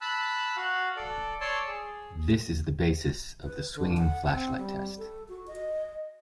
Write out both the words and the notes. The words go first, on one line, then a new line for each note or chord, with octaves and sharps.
This is the basis of the "swinging-flashlight test".
A5 B5 E6 F#6
F#4 F5 F#5
A4 D5
C#5 D5 A5 C6 E6
G#4
B4
D3
F#5
C4
G3
A4
F#4
D#5